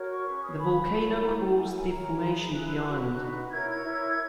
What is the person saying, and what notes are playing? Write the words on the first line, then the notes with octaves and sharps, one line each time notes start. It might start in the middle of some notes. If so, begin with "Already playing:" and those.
The volcano caused the formation of the island.
Already playing: F#4 A#4 C#5
C#6
C#4 G#4 B4
D#6
C#6
C#4 G#4 B4 B5
E4 G#4 C#5
B5
E4 G#4 C#5 A#5
E4 A#4 C#5 G#5
F#5
G#5
E4 A#4 C#5 A#5
E4 G#4 B4
E4 G#4 B4 F#6
D#4 F#4 B4
D#4 F#4 B4
E4 A#4 C#5 G#6
G#6
E4 A#4 C#5